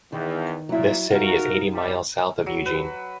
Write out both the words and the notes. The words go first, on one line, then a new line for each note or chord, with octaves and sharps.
This city is eighty miles south of Eugene.
E2 D#3
A#2 F#3 E4
D#4 F#4 A#4 F5 F#5
C2 G3
F#3
B4